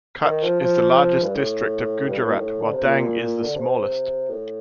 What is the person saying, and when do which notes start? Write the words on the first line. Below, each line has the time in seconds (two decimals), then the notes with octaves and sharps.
Kutch is the largest district of Gujarat while Dang is the smallest.
0.24 D#3
0.42 F3
0.61 F3
1.22 G2
1.35 A2
2.08 G2
2.18 A2
2.27 A#2
2.32 G2
2.36 A2
2.61 D3
2.72 C3
2.82 A#2
3.44 D3
3.56 C3
4.30 A2